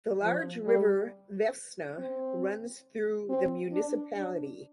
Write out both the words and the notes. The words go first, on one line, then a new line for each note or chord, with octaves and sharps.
The large river Vefsna runs through the municipality.
F3
G3
C4
C4
D4
D4